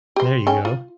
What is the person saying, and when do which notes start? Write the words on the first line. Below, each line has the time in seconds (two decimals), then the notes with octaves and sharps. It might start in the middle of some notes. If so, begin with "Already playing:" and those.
There you go.
0.16 G4 C5
0.47 C#3 C#4 G5
0.65 F4